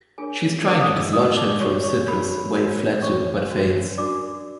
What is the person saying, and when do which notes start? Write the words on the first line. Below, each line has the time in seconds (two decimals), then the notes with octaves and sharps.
She is trying to dislodge him from Cyprus, where he fled to, but fails.
0.18 D4 F4 G#4 A#4 C#5 G#5
0.65 D4 F4 A#4 C#5 D5 D6
0.81 D#5 D#6
0.97 E5 E6
1.13 F#4 B4 D#5 D#6
1.36 D5 D6
1.60 F#4 B4 C#5 C#6
1.84 C#5 C#6
2.08 D#4 F#4 A#4 B4 C#5 B5
2.55 D#4 F#4 A#4 C#5
3.02 C#4 F#4 B4 C#5 C#6
3.50 C#4 F#4 B4
3.97 D4 F#4 A#4 D5 D6